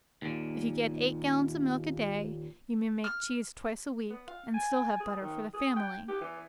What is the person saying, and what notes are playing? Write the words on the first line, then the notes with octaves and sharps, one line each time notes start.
If you get eight gallons of milk a day, you may make cheese twice a week, and still have butter for the family.
D#2 A#2
F6
B3
F5
G#5
G#4
D#3
G#4
G5
G4
E3